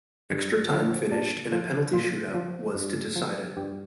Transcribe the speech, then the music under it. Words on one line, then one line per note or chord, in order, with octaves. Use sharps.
Extra time finished and a penalty shoot-out was to decide it.
G2
D3 F3
A#2 D4
F3
A#2 F4
F3
G2
F3
G2 G4